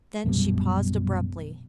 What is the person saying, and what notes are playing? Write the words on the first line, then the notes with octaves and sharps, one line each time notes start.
Then she paused abruptly.
A#1 F#2 B2 G3